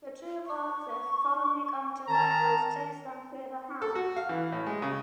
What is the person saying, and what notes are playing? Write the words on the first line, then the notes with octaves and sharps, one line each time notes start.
The two corpses suddenly come to life and chase them through the house.
C#6
D#3 A#4 A5 A#5
A4
F#4
F5
E3
A2
G#3
C#3